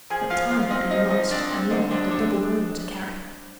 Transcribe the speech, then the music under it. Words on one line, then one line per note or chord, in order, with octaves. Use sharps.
But time had been lost, and Long had a double burden to carry.
F3 G#4 G#5
F3 F4 F5
C4 F4 F5
C4 D#4 D#5
F3 D#4 D#5
F3 D#4 D#5
C4 D4 D5
C4
D3 D#4
C4 D4
D3 D4